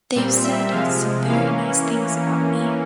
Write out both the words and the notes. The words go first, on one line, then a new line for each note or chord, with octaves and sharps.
They've said some very nice things about me.
A#2 G3 C4
E5
C3 F3 G#3 F5
E3 A#3 C#4 F5